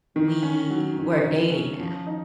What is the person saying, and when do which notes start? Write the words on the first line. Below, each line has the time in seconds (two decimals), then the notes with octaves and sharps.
We we're dating now."
0.16 D#3
0.43 C#4
0.70 F#3
0.98 D#3
1.24 D#3
1.52 C#4
1.79 F3
2.07 D#4